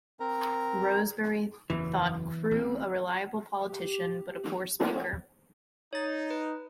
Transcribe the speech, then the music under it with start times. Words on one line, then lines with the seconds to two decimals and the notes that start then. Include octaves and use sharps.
Rosebery thought Crewe a reliable politician but a poor speaker.
0.20 C4 A#4 A#5
1.70 F#1 E2 E3 F#3
2.51 A1 C4
3.69 G4
5.93 D#4 C#5 A6
6.31 B4